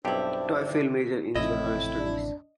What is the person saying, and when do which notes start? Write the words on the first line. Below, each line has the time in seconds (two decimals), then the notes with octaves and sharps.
Toefield majored in general studies.
0.05 B1 G2 C4 D4 E4 G4 C5
1.35 A1 F2 A2 C3 E4 D#5
1.97 D4